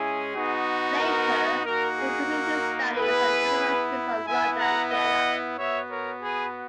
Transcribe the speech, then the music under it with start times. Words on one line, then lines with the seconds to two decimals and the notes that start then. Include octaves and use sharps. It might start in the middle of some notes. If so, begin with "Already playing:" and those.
Later, he continued his studies at the Universities of London and Jena.
Already playing: G#3 C#4 E4 G#4
0.34 B3 D#4 F#4
0.99 A#4
1.64 A#3 D#4 F#4 A#4
1.98 G#4
2.30 A#4
2.95 B3 E4 G#4 B4
4.26 B3 E4 E5 G#5
4.59 F#5 A#5
4.91 D#5 F#5
5.57 B3 F#4 C#5 E5
5.89 A#4 C#5
6.22 G#4 B4